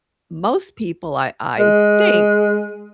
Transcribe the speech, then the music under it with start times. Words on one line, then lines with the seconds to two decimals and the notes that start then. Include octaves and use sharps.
most people I I think
1.59 G#3